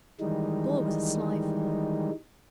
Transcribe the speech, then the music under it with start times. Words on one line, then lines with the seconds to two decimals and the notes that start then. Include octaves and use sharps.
Gore was a sly fellow.
0.20 D#3 E3 G3 G#3 D#4